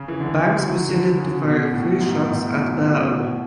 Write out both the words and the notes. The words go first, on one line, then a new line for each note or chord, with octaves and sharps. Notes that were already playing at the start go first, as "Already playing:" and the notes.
Banks proceeded to fire three shots at Bell.
Already playing: C#3
E3
D3
F#3
D3
C#3
B2
A2
G#2
A2
B2
C#3
B2
A2